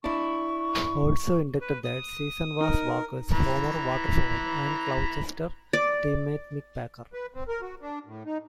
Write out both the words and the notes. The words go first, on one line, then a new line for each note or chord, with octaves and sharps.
Also inducted that season was Walker's former Watford and Colchester teammate Mick Packer.
D4 E4 C#6
B4
D#6
D#4 A#4 D#5
E3 A#5 B5
D5
B4
C4
A#4
F#4
D4
A2
D#4